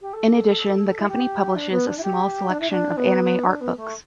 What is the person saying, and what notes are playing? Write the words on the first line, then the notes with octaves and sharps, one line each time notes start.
In addition, the company publishes a small selection of anime artbooks.
G4
A4
E4
G4
D4
B3
D4
E4
G4
D4
E4
D4
B3
D4
B3
A3